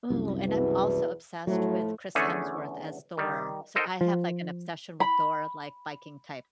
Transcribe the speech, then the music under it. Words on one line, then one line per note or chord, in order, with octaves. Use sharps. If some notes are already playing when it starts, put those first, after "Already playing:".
Ooh, and I'm also obsessed with Chris Hemsworth as Thor. So I have, like, an obsession with Thor, like, Viking-type
C2 F#2
E2 B2 B4
A2 F3 F#3 A3
E2 D3 A3 C#4 G#4 A4
D#3 G3
D#4 A4 A#4 C5 D#5
F3
B5